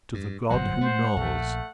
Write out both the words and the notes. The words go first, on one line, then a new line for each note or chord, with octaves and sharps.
To the god who knows.
G2
G1 A#2 F#3 C5 F#5
A3 C5
A#1 A3